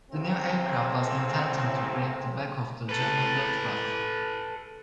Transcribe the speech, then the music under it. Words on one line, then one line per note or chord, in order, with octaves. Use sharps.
The new aircraft was intended to break the back of the German Luftwaffe.
A1 A2 C#3 C4
A4 B4